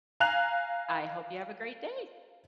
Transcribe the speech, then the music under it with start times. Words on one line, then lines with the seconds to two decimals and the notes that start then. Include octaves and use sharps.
I hope you have a great day.
0.20 F5 G#5 A#5 F#6 F7